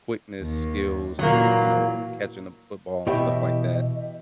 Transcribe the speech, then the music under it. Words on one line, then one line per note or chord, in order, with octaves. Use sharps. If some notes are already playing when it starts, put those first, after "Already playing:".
quickness, skills, hand you know, catching a football and stuff like that.
D#2
A#2 E3 F#3 A#3
B2 E3 G4 C#5 D#5 E5 G5